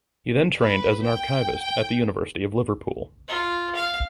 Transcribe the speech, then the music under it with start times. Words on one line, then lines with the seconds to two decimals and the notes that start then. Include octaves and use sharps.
He then trained as an archivist at the University of Liverpool.
0.59 B4
1.03 G5
1.61 G5
3.28 F4
3.75 F5